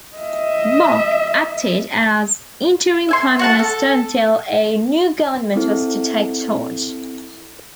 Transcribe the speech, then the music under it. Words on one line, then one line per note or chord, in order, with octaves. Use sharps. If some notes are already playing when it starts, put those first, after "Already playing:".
Boc acted as interim Prime Minister until a new government was to take charge.
D#5 E5
E5 G#5 C6
F#4 F#5 A5
A4
C4 E4 A4